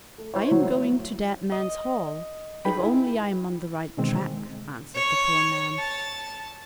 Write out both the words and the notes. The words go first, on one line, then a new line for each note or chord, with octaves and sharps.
"I am going to Dead Man's Hall, if only I am on the right track," answered the poor man.
A3
E4 C5 C#5
F#3
E4
D#5
D#4 G#4 B4 G5 B5
E4
B2 D3 D#3 G#3 C4
C#5
A5